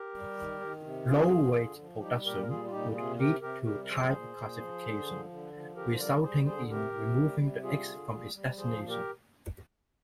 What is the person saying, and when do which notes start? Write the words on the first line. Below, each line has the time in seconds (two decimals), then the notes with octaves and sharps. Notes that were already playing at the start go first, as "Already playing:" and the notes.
Low-rate production would lead to type-classification, resulting in removing the "X" from its designation.
Already playing: G4 A#4
0.15 G3
0.38 D#3
0.61 D#3
0.84 C3
1.07 D3 F4 G#4
1.31 F3
1.55 D3
1.79 F3
2.01 G3 D#4 G4
2.25 A#2 G4 A#4
2.42 A#4
2.48 G3 F4 G#4
2.64 F4
2.71 A#2 D#4 G4
2.95 C3 F4 G#4
3.18 C3 G4 A#4
3.41 C3 G4 A#4
3.65 G3 G4 A#4
3.84 A#4
3.89 F3 G#4 C5
4.12 A#2
4.36 A#2
4.59 F3
4.83 D3
5.05 F3
5.30 D3
5.53 F3
5.76 D3 G4 A#4
5.94 C5
5.99 G3 A#4 D5
6.23 G3 G#4 C5
6.46 D3 G#4 C5
6.69 C3 G4 A#4
6.93 C3
7.17 G3
7.40 C3
7.63 G3 F4 G#4
7.87 D3
8.11 G3
8.34 G3
8.57 F3 G#4 C5
8.80 A#2
8.89 G4 A#4